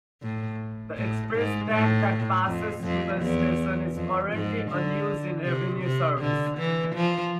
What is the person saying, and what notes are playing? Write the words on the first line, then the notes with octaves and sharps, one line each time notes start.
The express track that passes through the station is currently unused in revenue service.
A2
A2
G#2
A2
F2
F2
E2
F2
G#2
D3
C3
C3
D3
E3
F3